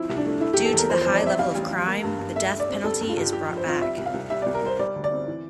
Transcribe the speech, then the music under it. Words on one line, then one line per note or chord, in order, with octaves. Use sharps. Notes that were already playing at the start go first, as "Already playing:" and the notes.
Due to the high level of crime, the death penalty is brought back.
Already playing: F3 C4 E4
C2
D4
A3
A3 E4
G4
E2
A4
E2 A#4
F3 C5
C5
F2
D5
C4 E5
G3 F5
A1
A1
A#3
G2
G2
A3 E5
G2
D5
C4
G3 A4
G2
F4
G2 G4
F3 G4
A#1
C5
C4 F4
G3 E5
C2
F5
C2
G3 E5
D5
C2
A#4
C2 C5
G3 D5
D2
D5
C4
E3